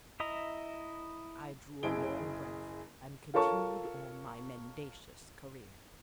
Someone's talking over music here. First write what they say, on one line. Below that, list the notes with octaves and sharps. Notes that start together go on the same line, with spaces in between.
I drew a long breath and continued on my mendacious career.
E4 D#5 E5 A#5
F#1 E4 G#4 D7 G7
F4 A4 A#4 C#5 A5 C#6